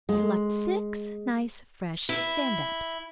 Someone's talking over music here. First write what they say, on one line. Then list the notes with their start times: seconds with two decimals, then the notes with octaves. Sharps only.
Select six nice fresh sand-dabs.
0.09 G#3
2.09 E4